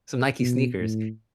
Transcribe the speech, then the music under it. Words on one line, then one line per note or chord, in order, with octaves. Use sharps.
Some Nike sneakers.
B2
A2